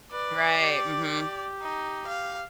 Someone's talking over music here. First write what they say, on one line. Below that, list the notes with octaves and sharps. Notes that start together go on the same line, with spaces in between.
Right, mhm.
B4 D5
G4
D#4
F5